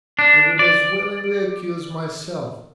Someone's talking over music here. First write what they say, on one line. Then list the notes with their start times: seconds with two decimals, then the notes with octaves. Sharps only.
I would as willingly accuse myself!
0.19 D4
0.59 D5